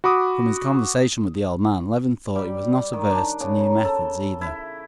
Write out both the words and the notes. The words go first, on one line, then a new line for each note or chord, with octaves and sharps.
From his conversation with the old man, Levin thought he was not averse to new methods either.
F#4 B5 D6 D#6
G3
D#3
D4
C#3
A#5
A4
E4